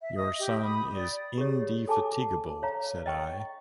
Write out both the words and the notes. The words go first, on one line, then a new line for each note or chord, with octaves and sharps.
"Your son is indefatigable," said I.
E5
D#5 D#6
G4
B5 D#6
D5
G4 G#4 C#5
A4 G#5 A5 D6
C#5 F5 A#5
D#5 G5 C#6